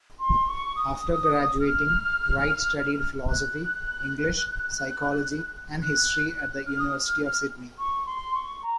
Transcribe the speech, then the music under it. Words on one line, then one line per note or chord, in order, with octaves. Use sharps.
After graduating, Wright studied Philosophy, English, Psychology and History at the University of Sydney.
C6
C#6
D#6
F6
F#6
F#6
F6
D#6
F6
C#6
C6
C#6
A#5